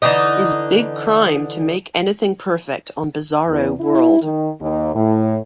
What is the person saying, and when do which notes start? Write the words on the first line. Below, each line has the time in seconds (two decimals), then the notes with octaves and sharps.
Is big crime to make anything perfect on Bizarro World!
0.02 D3 E3 D#4 D#5
3.48 E2
3.80 E4
4.22 D#3
4.61 D#2
4.95 A2